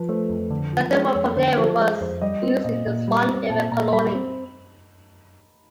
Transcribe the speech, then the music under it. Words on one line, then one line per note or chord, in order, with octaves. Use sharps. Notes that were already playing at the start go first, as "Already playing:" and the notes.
Sandalwood from the area was used in the Swan River Colony.
Already playing: F3 B4
A3 C5
F2
D3
F3
G#3 C#5
F2 C#5
D3 C5
F3 C5
G#3
F2 C5
G3 D#5
C4
A#2 D#5
A#2
G3
C4
A#2 A5
A#2 A#5
G3 B5
B5
C4